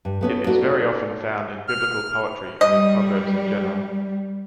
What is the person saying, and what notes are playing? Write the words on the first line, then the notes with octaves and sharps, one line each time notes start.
It is very often found in Biblical poetry and in proverbs in general.
G2
A3 B3 C#4
A3 D#4 F#4 D5
F6
G3 D#5